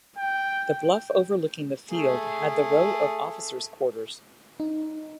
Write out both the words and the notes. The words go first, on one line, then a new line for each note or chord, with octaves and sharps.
The bluff overlooking the field had the row of officer's quarters.
G5
A3 G#4
D#4